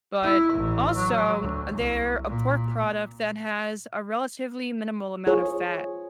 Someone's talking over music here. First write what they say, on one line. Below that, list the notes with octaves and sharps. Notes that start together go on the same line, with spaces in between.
but also, they're a pork product that has a relatively minimal amount of fat.
E4
A1
F#3
D2
C2
A#2
F4 G#4 C5 C#5